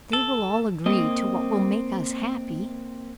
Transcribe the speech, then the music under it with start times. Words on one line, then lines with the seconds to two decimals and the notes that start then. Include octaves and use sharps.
"They will all agree to what will make us happy."
0.13 A4
0.86 A#3 C4 D#5